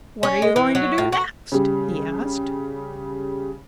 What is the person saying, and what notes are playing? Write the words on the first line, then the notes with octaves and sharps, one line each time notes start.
"What are you going to do next?" he asked.
C#4
G#3
E3
F#3
A2
F#4
C#3 G3